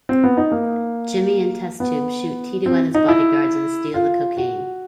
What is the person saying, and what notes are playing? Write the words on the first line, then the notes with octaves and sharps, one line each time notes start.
Jimmy and Test Tube shoot Tito and his bodyguards and steal the cocaine.
C4
B3
D#4
A#3
B3
C4
D#4
E4
F4
F#4